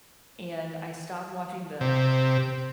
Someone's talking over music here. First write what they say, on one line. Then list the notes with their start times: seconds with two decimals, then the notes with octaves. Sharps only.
and, I stopped watching the f
1.81 C3